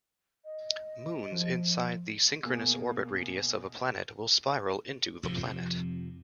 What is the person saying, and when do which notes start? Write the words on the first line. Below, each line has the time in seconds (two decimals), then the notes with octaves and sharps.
Moons inside the synchronous orbit radius of a planet will spiral into the planet.
0.44 D#5
1.32 F3
2.43 B2 A#3 G#4
5.23 F2 C3 F3